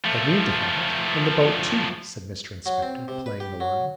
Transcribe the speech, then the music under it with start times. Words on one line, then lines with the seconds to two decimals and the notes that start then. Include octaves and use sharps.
'I mean to have it, and the boat too,' said Mr Inspector, playing the line.
0.05 F3 A3
2.66 F#3
2.82 C4
3.08 C3
3.26 B4
3.40 G4
3.60 F#3